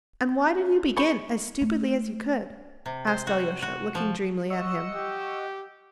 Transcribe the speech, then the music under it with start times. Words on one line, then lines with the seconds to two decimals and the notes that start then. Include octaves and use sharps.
"And why did you begin 'as stupidly as you could'?" asked Alyosha, looking dreamily at him.
0.44 C#4 F4
0.97 G#4 C5 B5 C#6
1.61 A3
2.86 C3
3.07 C5
3.27 F#4
3.62 F#4
3.95 F3
4.50 D#5 F#5 C#6 E6
4.95 G4